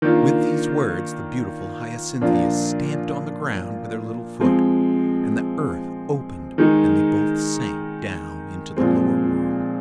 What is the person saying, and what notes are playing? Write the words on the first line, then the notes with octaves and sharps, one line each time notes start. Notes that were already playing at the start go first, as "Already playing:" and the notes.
With these words the beautiful Hyacinthia stamped on the ground with her little foot, and the earth opened and they both sank down into the lower world.
D#3 A#3 D4 F4
A#2 F3 A#3 D4 F4
F3 G#3 C4
D#3 G#3 D#4
A#2 F3 G#3 C4